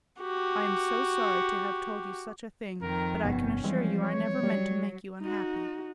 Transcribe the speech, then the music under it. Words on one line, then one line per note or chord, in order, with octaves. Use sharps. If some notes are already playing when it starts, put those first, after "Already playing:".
I am so sorry to have told you such a thing, but I can assure you I never meant to make you unhappy.
F#4 G4
F2 D#3 A#4
G1 G2 C3 B3 C#4
E3 F3 G3 G#3 C4
C#5
F#3 G3
D#4 F#4